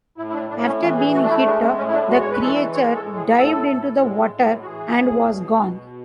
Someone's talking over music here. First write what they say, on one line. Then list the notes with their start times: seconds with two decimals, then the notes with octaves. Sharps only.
After being hit, the creature dived into the water and was gone.
0.18 A2 E4
0.29 E4
0.34 D4
0.50 A2 D4
0.66 C#4
0.82 E3 C#4
0.98 G#4
1.14 A3 F#4
1.23 D4
1.30 E4
1.45 G#3 D4
1.62 C#4
1.78 A2 C#4
1.88 E4
1.94 D4
2.10 G#3 F#4
2.20 C#5
2.31 B4
2.41 E3 A4
2.73 G#3 C#5
2.95 A4
3.06 A2
3.16 G#4
3.38 A2 A4
3.70 A2
4.01 G#3
4.34 A2
4.62 F#4
4.65 E3 G#4
4.98 A2
5.30 B2
5.62 B2